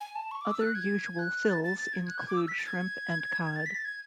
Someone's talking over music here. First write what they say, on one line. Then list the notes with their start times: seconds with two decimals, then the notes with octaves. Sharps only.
Other usual fills include shrimp and cod.
0.01 G#5
0.15 A5
0.31 C#6
0.41 D6
0.51 E6
0.61 F#6
0.75 G#6
1.19 F#6
1.49 A6
1.64 A6
1.79 A6
1.93 G#6
2.08 F#6
2.18 G#6
2.28 D6
2.37 E6
2.48 B6
2.58 A6
2.67 G#6
3.56 A6
3.66 B6
3.75 A6
3.85 G#6